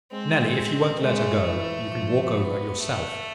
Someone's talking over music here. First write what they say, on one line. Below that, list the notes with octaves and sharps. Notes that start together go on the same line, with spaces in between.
Nelly, if you won't let her go, you can walk over yourself.
G#3 C4
G#3 A3
E3
F3
B3
A3